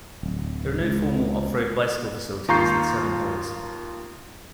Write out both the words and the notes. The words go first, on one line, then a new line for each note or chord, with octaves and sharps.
There are no formal off-road bicycle facilities in Seven Hills.
D1
C#2
D#2 F4 A#5 C#6 G6 C7